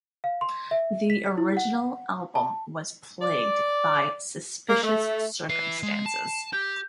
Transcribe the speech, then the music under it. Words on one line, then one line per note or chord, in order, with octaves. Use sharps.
The original album was plagued by suspicious circumstances.
F5
C6
E5
B6
E4
F#5
A5
D5
A#3
A3
E4 B4 C7
G#3
A5
G4 G6